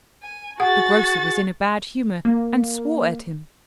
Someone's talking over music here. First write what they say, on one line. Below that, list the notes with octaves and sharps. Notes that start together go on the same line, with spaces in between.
The grocer was in a bad humor, and swore at him.
G#5
F#4 G#4 F#5 A6
A#3